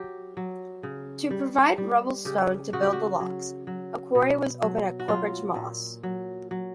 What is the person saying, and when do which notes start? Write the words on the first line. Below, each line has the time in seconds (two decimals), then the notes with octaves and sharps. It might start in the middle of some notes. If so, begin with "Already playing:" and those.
To provide rubble-stone to build the locks, a quarry was opened at Corpach Moss.
Already playing: F#3 G4
0.37 F#3
0.83 C#3
1.31 G3
1.78 G3
2.25 C#3 G4
2.73 C#3 F#4
2.83 G4
2.93 F#4
3.20 F#3
3.67 F#3
4.15 B2
4.62 F#3
4.99 F#4
5.08 F#3 F4
5.55 A#2
6.03 F#3
6.51 F#3